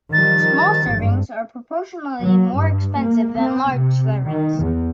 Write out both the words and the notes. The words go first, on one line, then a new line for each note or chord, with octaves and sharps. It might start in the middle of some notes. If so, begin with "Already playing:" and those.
Small servings are proportionally more expensive than large servings.
D#3 F3 G3 A6
G#1 G2
F#3
G2
A#3
C4
C3
D#3
E2